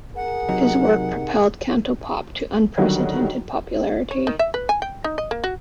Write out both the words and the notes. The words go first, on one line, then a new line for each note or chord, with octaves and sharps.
His work propelled Cantopop to unprecedented popularity.
G#4 A#4 F#5
C3 F#3 D#4
D3 D#3 F#3 G3 F#4
C#5
D#3
E5
B4
G#5
G5
D#4
D#5
A#3
F#4